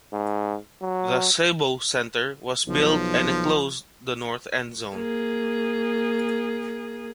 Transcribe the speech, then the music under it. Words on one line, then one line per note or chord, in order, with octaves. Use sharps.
The Sebo Center was built and enclosed the north endzone.
G#2
F#3
B1 F3
A#3 G#4